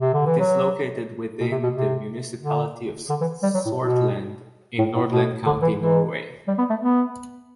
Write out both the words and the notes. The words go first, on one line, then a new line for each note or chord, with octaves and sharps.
It is located within the municipality of Sortland in Nordland county, Norway.
C3
D3
E3
F#3
B2
C3
B2
C3
D3
D3
E3
G3
F#3
A2
B2
A2
A2
B2
D3
E3
E3
G3
B3
A3
B3